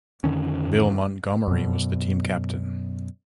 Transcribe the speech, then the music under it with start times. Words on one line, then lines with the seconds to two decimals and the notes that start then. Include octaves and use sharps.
Bill Montgomery was the team captain.
0.24 F2 D3 D#3 C#4
1.48 F#2 B2